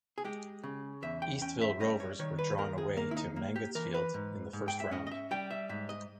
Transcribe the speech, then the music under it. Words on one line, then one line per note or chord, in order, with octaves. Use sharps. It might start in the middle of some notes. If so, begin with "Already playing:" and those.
Eastville Rovers were drawn away to Mangotsfield in the first round.
G#4
G#3 G4
C#3
E2 E5
G5
C#4 G5
E5
G3 D#5
C#5
D#3 C#5
B4
D#2 A#4
G#4
A#3 A#4
E4
D#4
A#3
G4
E3 A#4
B4
G#2
G#2
G5
E5
C#4 D#5
D#5
E5
G3 G5
E5
G#2 E5
D#5